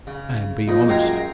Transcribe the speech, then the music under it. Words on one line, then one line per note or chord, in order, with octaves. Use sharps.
Man, be honest.
C#3
A#1 A#2 D#4 B5
F#2 G#3 F5 G5 G#5 A#5